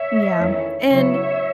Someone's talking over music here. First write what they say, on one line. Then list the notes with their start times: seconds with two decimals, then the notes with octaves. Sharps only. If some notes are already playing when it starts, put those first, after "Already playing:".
Yeah, and
Already playing: C#5 E5
0.37 E2 D#3 A3 C#4 E4
0.90 C#3 F#3 B3 E4 C#5 E5